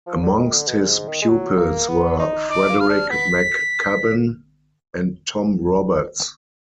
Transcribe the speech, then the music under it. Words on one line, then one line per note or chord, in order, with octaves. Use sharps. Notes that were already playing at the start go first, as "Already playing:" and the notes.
Amongst his pupils were Frederick McCubbin and Tom Roberts.
F3
D3
D#3
D3
B2
A#2
G#2
D#3
G#3
F#3
A#3
B3
D#4
D#4 D6
F4
F6
D4
B3 B6